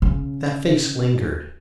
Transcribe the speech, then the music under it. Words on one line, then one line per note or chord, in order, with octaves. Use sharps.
That face lingered.
C#3 C#4